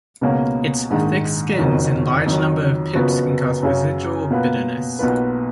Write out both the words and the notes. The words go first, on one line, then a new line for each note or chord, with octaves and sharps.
Its thick skins and large number of pips can cause residual bitterness.
C#2 B2 A#3 C#4
A#1 G#2 D#3
F#1 F2 D#3 F#3
F2 D#3 F#3
F#1 F#2 F3 B3 F#4
F#2 C#3 F#3
B2 A#3 F4 B4
B1 B2 A#3 F4 B4